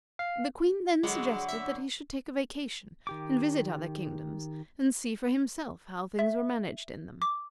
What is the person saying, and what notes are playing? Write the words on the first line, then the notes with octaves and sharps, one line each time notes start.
The Queen then suggested that he should take a vacation, and visit other kingdoms, and see for himself how things were managed in them.
F5
D3 F#3 G#3 F#5 B5 D6
E5
D#3 G4 D6
E5
D6